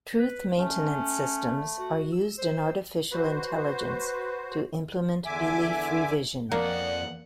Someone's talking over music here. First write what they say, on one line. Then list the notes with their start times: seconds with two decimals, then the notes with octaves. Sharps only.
Truth maintenance systems are used in Artificial Intelligence to implement belief revision.
0.19 B4
0.59 A3 C#4
1.79 F#4
2.12 E6
2.38 C5
3.12 F#4 B4 C5
5.26 E2 D3 E5 G#5 D6
6.52 F2 A#3 D5 F#5